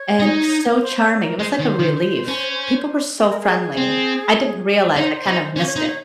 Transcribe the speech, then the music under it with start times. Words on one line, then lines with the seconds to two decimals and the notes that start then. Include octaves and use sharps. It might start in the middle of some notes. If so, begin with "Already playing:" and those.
and so charming, it was like a relief. People were so friendly. I didn't realize I kind of missed it.
Already playing: C#5
0.20 D#4
0.81 C5
1.00 C#5
1.20 A#4
1.39 G#3 C5
1.59 D#3
1.80 D#3
2.28 C#4
3.19 G#4
3.30 A#4
3.40 G#4
3.77 C4
4.96 D#4 C#5
5.01 C5
5.26 D#4
5.56 C#4 C5
5.66 C#5
5.76 D#4 C5
5.87 C#5